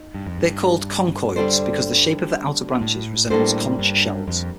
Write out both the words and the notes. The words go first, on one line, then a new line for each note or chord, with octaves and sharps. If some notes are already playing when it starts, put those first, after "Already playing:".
They are called conchoids because the shape of their outer branches resembles conch shells.
Already playing: D#4
G2
F2
G2
D3 G3 D4 A4 C5
A2
A2 G3 A#3 D4 A4 C5
G2
F2